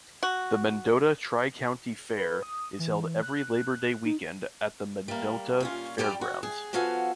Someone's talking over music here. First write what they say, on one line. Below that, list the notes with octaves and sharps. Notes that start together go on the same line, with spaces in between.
The Mendota Tri-County Fair is held every Labor Day weekend at the Mendota Fairgrounds.
F#4
B4
D#6
E3
F#6
D#4
G3 A#3
A#2 C#4 F4
F#2 G3 G4 D5
F#4
G#4
F3 B3 F#4 A4 F5 G#5